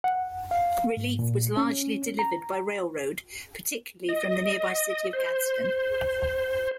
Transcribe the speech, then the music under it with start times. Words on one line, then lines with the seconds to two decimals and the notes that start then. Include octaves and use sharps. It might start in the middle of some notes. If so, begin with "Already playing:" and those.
Relief was largely delivered by railroad, particularly from the nearby city of Gadsden.
0.04 F#5
0.51 F5
0.97 G#2
1.19 A#2
1.57 C#4
2.19 A#5
4.09 D#5
5.13 C5